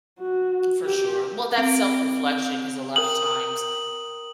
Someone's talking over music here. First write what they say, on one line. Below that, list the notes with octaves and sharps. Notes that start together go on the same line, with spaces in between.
For sure. Well, that's self-reflection 'cause a lotta times
F#4
G4
C4 D7
A#4 G5 D#6 F#7